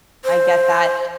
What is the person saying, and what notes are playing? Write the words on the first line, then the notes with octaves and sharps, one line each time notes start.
I get that.
C5